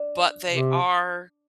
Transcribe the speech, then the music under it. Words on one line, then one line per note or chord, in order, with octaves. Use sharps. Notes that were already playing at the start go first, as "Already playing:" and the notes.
but they are
Already playing: D4
C3